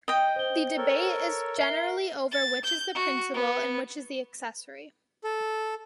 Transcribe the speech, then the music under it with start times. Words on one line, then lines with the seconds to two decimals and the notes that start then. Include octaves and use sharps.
The debate is generally over which is the principal and which is the accessory.
0.08 D#5 G5
0.36 C5 G7
0.77 A4 A#4 C#5
1.58 A#4 E5 C7 G7
2.31 A6
2.64 G6
2.95 F#4
3.34 B3
5.24 A4